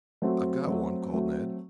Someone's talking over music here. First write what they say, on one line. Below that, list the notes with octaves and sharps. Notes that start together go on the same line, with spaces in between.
"I've got one," called Ned.
F#3 A3 C4 F#4
F#3 A3 C4 F#4
F#3 A3 C4 F#4